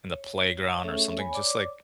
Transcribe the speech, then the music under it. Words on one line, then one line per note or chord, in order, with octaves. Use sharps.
in the playground, or something, just, like
C#5
A3 C#4 G#4 A4 C#5 E5
C#5 G#5 B5
C#5 D5 D6